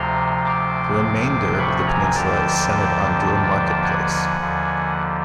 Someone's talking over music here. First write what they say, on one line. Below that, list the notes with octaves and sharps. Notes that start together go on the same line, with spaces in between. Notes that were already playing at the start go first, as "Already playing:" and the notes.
The remainder of the peninsula is centred on Durham Market Place.
Already playing: D2 C3 F3 A#5 C6
C6 D6
B5 C#6
G#5 A#5
D#2 D3 F3 G5 A5
F#5 G#5
D#2 D3 F3